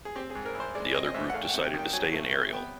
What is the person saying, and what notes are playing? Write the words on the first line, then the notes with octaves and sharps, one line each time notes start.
The other group decided to stay in Ariel.
G#4
C4 G4
G#4
G#2
A#4
E3
C5
G#3 D5
C4 D#5
D#5
G#2 E5
F#5
A3 F5
G5
F#5
C3
G5
D#3
G5
F#3 G#5
A3
C3
B3 G5